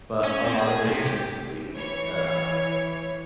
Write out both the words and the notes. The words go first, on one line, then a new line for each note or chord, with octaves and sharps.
but a lot of it u usually, uh
C#4
C4
G#4
C3
G4
E3 C#5